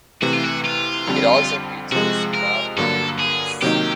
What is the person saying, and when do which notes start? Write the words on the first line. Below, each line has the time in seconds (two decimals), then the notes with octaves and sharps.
It also features barbecue grills.
0.22 C3 E3 A3 F#4
0.33 F4
0.44 F#4
0.65 F4
1.07 F2 D3 G3 C4
1.92 C3 F3 G#3 F#4
2.35 A#4
2.77 G2 D3 F#3 A#3 A4
3.20 G#4
3.62 C3 D#3 F#3 A#3 D#4 G4